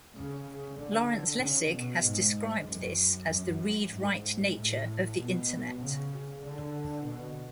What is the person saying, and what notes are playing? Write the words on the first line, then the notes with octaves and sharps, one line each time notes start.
Lawrence Lessig has described this as the "read-write" nature of the Internet.
C#3
D3
C#3
B2
G#2
F#2
F#2
G#2
A2
B2
C#3
D3
B2